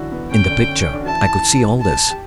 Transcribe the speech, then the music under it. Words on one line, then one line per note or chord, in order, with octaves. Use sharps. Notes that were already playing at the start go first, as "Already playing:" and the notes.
In the picture I could see all this.
Already playing: D3 E3 F#3 D4 E4 F#4
B3
C#4 G5
D3 D4
C#4
C#4
D3 D4
F#4
E3 E4 A5
A5
G4